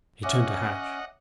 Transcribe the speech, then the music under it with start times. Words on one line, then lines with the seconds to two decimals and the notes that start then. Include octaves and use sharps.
He turned to Hatch.
0.23 C#4 C#5 D#5 E5 F#5 D6